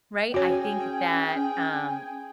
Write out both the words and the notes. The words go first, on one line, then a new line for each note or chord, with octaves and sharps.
right? I think that, um,
C#4 F#4 G#4 C#5 G5 G#5